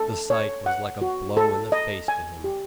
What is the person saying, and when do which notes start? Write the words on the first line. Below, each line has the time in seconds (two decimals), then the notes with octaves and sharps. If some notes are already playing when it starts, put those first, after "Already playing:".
The sight was like a blow in the face to him.
Already playing: A4
0.30 C#5
0.66 F#5
1.02 F#4
1.37 A4
1.72 D#5
2.08 G#5
2.44 G4